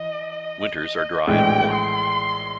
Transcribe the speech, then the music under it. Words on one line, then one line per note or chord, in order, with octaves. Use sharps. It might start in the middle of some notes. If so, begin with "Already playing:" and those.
Winters are dry and warm.
Already playing: E3 D#5
D#5
D#5
A#1 A2 E3 G#3 G5
C6